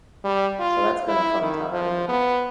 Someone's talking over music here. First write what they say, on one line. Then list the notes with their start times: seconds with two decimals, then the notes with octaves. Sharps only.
And so that's been a fun time, and,
0.24 G3
0.60 F4
1.08 E4
1.41 D#3
1.72 F3
2.08 B3